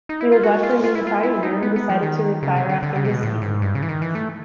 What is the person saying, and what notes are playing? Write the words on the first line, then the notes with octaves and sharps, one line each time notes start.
He was out for the entire year and decided to retire after the season.
D#4
E4
F4
F#4
F4
F4
E4
F4
E4
D#4
B3
B3
F3
D#3
C#3
C3
D3
D3
C#3
C3
B2
A2
G#2
G2
C#3
E3
D#3
E3
A3